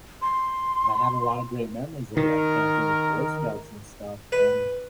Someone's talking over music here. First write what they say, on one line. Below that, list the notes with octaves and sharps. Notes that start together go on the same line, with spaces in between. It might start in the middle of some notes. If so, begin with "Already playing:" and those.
and I have a lot of great memories of like camping with Boy Scouts and stuff. And
C6
D#3 A#4
B4